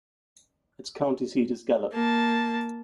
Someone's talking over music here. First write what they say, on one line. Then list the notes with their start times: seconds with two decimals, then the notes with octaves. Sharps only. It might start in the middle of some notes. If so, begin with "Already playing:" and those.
Its county seat is Gallup.
1.93 A#3 A5